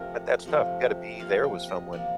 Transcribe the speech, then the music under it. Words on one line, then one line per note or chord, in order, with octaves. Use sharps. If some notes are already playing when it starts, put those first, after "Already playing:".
But that's tough, you gotta be there with someone.
Already playing: C3 F3 A3 A#4
C3 F3 A3
C3 F3 A#3 F5
G5
D#5
C3 F3 A#3 D5